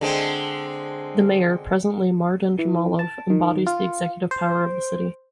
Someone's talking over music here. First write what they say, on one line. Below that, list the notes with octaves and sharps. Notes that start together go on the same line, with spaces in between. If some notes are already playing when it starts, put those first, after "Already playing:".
The mayor, presently Mardan Jamalov, embodies the executive power of the city.
D3 G#3 C4
E3
A5
D#3
F4
C5